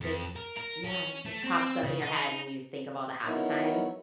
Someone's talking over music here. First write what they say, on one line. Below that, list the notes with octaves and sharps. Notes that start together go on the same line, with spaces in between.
just yeah, it just pops up in your head, and you just think of all the happy times.
F2
A#4
A#4
C#4
A3
C4
C#3
D#4
F#3 B3 D#4 E4 A#4 C#5